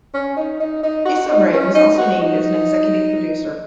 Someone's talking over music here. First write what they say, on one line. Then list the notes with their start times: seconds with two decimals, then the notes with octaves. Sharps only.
Issa Rae was also named as an executive producer.
0.14 C#4
0.37 D#4
0.60 D#4
0.83 D#4
1.05 F#4
1.29 D#4
1.52 C#4
1.75 D#4
1.98 F#4
2.21 D#4